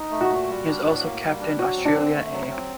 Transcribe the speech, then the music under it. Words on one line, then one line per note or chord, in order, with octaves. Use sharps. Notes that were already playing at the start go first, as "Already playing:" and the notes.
He has also captained Australia A.
Already playing: D#4
A3
F#4
A#2
G3
D4
A2
A#3
G3
D4
F#3 F#4
C4
D4
D3
A3
F#3
C4